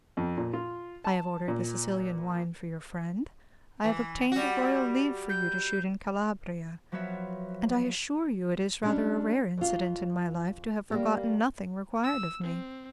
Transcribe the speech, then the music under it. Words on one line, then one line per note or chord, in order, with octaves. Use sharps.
I have ordered the Sicilian wine for your friend; I have obtained the Royal leave for you to shoot in Calabria; and I assure you it is rather a rare incident in my life to have forgotten nothing required of me!
F2
A#2
F4
A5
A#2
E3
G3 F#4
G6
F3 F#3 B3 B4 C#5 E5
G3 G#3 C#4 D4
F2 F4
G3 A#3 G4
E6
C4